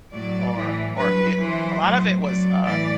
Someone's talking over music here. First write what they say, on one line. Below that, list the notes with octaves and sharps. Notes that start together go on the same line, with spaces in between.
Or or eh a lot of it was, uh,
A2 F#3 D5
A2 E3
G2 F#3 B4
F#2 E3 C5
A2 F#3
F#2 F#3 D5
A2 E3 D5